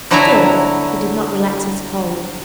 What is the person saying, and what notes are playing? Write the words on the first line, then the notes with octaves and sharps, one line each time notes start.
Still he did not relax his hold.
D3 F#3 E4 E5 G#5 A#5